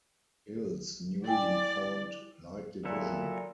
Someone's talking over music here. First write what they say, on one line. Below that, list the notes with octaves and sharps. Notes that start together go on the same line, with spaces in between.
Hill's newly formed Light Division.
E4 D5 G5 G#5
A#2 F#3 E4 A4